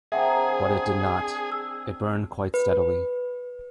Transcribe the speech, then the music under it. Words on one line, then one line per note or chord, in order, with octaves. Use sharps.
But it did not: it burned quite steadily.
D#3 C4 D4 G#4 E5 F#5 G5
E6
B4